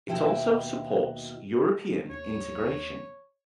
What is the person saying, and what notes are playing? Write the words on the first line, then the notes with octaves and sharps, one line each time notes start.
It also supports European integration.
D#2 B2 E4 F#4 E5 G5
D#2 C#5